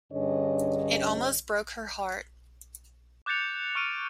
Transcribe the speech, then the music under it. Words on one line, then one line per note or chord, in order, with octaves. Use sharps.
It almost broke her heart.
G2 D3 C#4 G#4 C#5 D#5
D6 F#6 G6 A6 C#7 F7
C#6 F6 D7 D#7